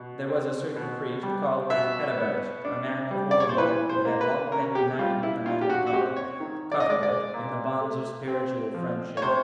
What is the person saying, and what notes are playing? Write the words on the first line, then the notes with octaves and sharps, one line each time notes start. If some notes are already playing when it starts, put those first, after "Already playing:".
There was a certain priest, called Herebert, a man of holy life, who had long been united with the man of God, Cuthbert, in the bonds of spiritual friendship.
Already playing: B2
C4
B2
G3
B2 E5
B3
D4
G3
D5
C#5
C5
E3 B4
C5
A#3
B4
C#4 A#4
G4
G3 F4
E4
D#3 F4
G4
F#4
F#4
C4 G4
C#5
D#3
D5
D#5
G#3 D5
D5
A#2
A3
C4
F3
C#5
C3 C5